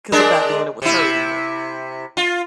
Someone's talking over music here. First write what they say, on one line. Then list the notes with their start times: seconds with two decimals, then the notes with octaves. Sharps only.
'cause I'm not doing it with her anymore,
0.12 G#3 D4 A#4
0.82 C3 E4
2.17 F4